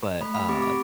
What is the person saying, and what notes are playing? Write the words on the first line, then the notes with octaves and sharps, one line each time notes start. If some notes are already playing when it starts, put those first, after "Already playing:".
But, uh,
A3 B5
B5
C4 G4 D6
D6